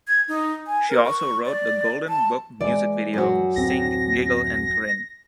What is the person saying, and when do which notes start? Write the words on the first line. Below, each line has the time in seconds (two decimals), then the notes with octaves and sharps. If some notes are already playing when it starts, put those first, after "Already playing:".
She also wrote the Golden Book Music Video "Sing, Giggle and Grin".
0.07 G#6
0.28 D#4
0.67 G#5
0.89 A#4
1.06 C#6
1.45 D5
2.09 A5
2.61 E3 G#3 D5
3.13 F#2 F#4
3.56 D1 C4 A#6